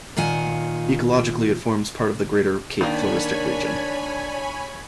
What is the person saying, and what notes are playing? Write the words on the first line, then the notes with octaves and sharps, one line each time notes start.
Ecologically it forms part of the greater Cape Floristic Region.
A#2 D#3 F4 F#5 G#5
D#3 A#3 D4 C#5 D5 G#5 B5